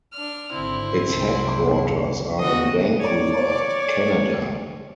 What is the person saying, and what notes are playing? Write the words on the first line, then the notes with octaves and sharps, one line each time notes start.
Its headquarters are in Vancouver, Canada.
D4 F6
G#1 D3 C4 E4
C2 F#2
D3 E3 F#4 D#5
C#5 D5